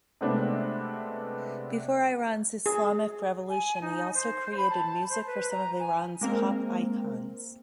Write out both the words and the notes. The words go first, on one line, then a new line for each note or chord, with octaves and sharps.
Before Iran's Islamic Revolution, he also created music for some of Iran's pop icons.
C3 G#3 A3 B3 C4 D4
G#4
G#5
D#4
C5
B5
A5
C5
B4
A#5
G#5
G#3 A#3 C4 A#4